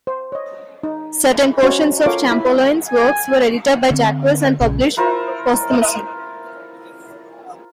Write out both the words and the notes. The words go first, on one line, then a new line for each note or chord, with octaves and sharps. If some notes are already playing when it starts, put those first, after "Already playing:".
Certain portions of Champollion's works were edited by Jacques and published posthumously.
C5
C#5 D#5
D#4
C#4 F#4 C5 C#5
F4 A4 A#4 C#5 F5 D6
E4 B5
G#5
D3 C4
A#1 C#3
E4 F4 A#4 C5